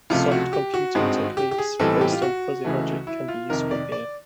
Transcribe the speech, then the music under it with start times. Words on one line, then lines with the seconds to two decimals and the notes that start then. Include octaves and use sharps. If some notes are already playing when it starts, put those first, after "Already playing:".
Soft computing techniques, based on fuzzy logic can be useful here.
0.10 C#2 C3 F3 A3 F4
0.31 F#4
0.53 G4
0.74 F#4
0.95 G#1 G2 D#3 G#3 C4
1.37 G4
1.51 G4
1.58 G#4
1.80 B1 A2 E3 G3 C4 A4
2.01 G4
2.12 F4
2.22 F#4
2.64 C#2 C#3 E3 A3
3.07 E4
3.28 F4
3.49 F2 C3 D#3 A#4
3.71 D5
3.92 D5